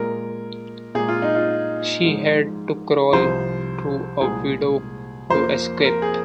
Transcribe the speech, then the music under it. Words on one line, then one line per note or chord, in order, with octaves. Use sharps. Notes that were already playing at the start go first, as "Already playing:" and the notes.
She had to crawl through a window to escape.
Already playing: A#2 G#3 A#4
A#2 G#3 G#4
F4
D#4
F4
G#2 F3 G#3
C2 C3 F3 C5
C2 A#2 G#3 G#4
F2 F3 A#3 C5
A#4
G#4